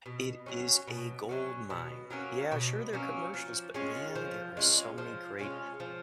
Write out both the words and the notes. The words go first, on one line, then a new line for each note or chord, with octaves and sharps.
It is a gold mine. Yeah, sure, there are commercials, but man, there are so many great
B2
F#3 A#3 C#4
B2
F#3 A#3 C#4
B2
F#3 A#3 C#4
B2
F#3 A#3 C#4
F3
G#3 C#4 F4
F3
G#3 C#4 F4
F3
G#3 C#4 F4
F3